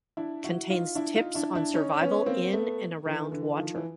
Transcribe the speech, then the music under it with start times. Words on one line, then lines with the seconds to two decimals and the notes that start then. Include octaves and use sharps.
Contains tips on survival in and around water.
0.17 D4 E4
0.44 E4 F#4
0.70 D#4 F4
0.95 D4 E4
1.15 D#4 F4
1.35 D4 E4
1.55 D4 E4
1.74 C#4 D#4
2.01 B3 C#4
2.26 A#3 C4
2.53 A3 B3
3.05 D3 E3
3.32 D3 E3
3.58 D#3 F3
3.75 E3